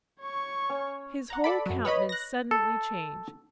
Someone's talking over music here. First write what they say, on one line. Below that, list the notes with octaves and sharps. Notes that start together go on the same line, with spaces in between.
His whole countenance suddenly changed.
C#5 C#6
C#4
F#5 A#5
A4 D5 B5
F#2 F#3
B4 C#5 D#5 B5
F#6 A#6
A4